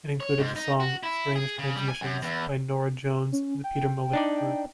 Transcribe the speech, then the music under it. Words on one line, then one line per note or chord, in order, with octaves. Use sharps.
It included the song "Strange Transmissions" by Norah Jones and The Peter Malick Group.
C#5
G#2
D#4
F#4
E4
G#4
C#3
G3
G#5
F#2
E2
C#4
G5
D4 D#4 D5